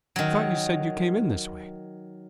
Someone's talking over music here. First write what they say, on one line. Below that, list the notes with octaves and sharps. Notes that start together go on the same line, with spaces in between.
"I thought you said you came in this way."
D#3 F#3